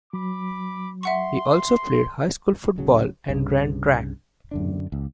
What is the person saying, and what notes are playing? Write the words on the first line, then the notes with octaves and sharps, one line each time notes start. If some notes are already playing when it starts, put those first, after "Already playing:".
He also played high school football and ran track.
F#3 B5 D6
E5 F#5 C6 C#6
D1 C#3 F#3
C2 G2 C#3
F#2 D3 D4
C#2